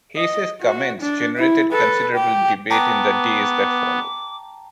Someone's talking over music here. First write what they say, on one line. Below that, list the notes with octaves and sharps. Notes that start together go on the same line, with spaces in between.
Hayes's comments generated considerable debate in the days that followed.
D#5
F#4
D4
E4
A4 B4
G4
B3 G5 A5 A#5 D6